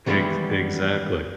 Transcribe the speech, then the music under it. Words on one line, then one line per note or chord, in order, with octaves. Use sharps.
Ex exactly.
D#3 E3 G3 G#3 B3 E4